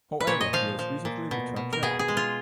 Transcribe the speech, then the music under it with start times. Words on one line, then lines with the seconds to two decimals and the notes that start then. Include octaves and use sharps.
However, he has recently returned to acting.
0.20 B4
0.27 A#2 C#5
0.41 D#5
0.53 F3 F5
0.79 F3
1.05 A#2
1.31 B2
1.56 B2
1.73 A#4
1.83 B2 G#4
1.99 G#4
2.08 G#3
2.17 F4